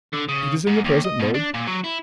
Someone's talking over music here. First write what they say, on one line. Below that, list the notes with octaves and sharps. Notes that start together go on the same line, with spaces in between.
It is in the present mode.
D3
C#3
G#2
D#2
D#5
B2
D4
A#2
F#3
E4